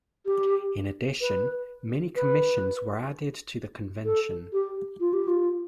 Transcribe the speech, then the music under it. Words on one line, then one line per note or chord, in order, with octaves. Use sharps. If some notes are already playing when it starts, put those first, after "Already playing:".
In addition, many commissions were added to the convention.
G4
B4
B4
A4
G4
F4
G4
F4